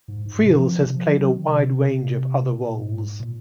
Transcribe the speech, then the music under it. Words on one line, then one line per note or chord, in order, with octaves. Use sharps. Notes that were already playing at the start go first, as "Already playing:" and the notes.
Friels has played a wide range of other roles.
G#2
G#2
C3
F3
F3
C3
F3
F#3
D#3
C3
A#2
G#2
A#2